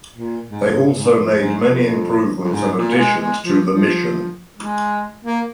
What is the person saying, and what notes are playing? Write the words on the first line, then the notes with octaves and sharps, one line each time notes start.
They also made many improvements and additions to the Mission.
A#2
G#2
G#2
G#2
F2
F2
G#2
F2
F2
G#2
A#2
A#3
G#3
G#3
F3
F3
G#3
A#3